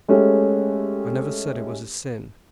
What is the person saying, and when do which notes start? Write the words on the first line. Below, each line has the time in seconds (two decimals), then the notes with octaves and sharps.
"I never said it was a sin."
0.08 G#3 A3 C#4 G4